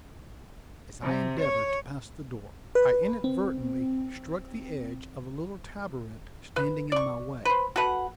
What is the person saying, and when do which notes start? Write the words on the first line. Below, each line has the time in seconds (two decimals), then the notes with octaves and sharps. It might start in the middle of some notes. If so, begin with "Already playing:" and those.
As I endeavored to pass the door, I inadvertently struck the edge of a little taboret standing in my way.
1.03 C3
1.40 C#5
2.75 B4
3.24 C4
6.56 B4
6.92 D5 C#6
7.45 B4 C5
7.76 F#4 A4 B4 F#5